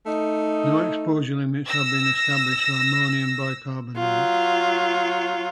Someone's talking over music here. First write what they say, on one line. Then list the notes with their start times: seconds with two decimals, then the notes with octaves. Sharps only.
No exposure limits have been established for Ammonium Bicarbonate.
0.07 A3 D#4
1.67 E6 A#6
3.97 F#3 F4